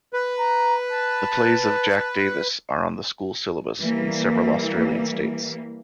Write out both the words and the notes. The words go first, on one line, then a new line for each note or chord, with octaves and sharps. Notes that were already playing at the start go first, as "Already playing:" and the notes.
The plays of Jack Davis are on the school syllabus in several Australian states.
B4
A#5
A5
E3 G3 A#3